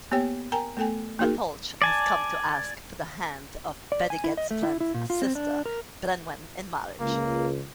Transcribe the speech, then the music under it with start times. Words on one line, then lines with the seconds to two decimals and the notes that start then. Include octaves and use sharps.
Matholwch has come to ask for the hand of Bendigeidfran's sister Branwen in marriage.
0.11 A#3 B3 G4 C#5 G5
0.52 A#4 G5 G#5 A#5
0.77 A3 B3 A4 G5 G#5
1.19 A#3 D#4 F#4 G#4 A#4
1.82 D5 G#5 A5
3.92 D5
4.10 G#5
4.24 E4
4.37 D#5
4.51 A3
4.63 E4
4.80 E4
4.94 A#2
5.10 F4
5.22 C4
5.35 D4
5.66 A#4
7.00 C#2 A#3